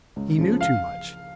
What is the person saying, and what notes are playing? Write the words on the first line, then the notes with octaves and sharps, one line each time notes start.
He knew too much.
C#2
C#3 F3
F5